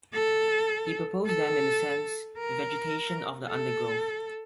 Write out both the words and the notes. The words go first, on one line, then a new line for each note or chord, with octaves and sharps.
He proposed them in the sense "Vegetation of the undergrowth".
A4
A4
A#4
A4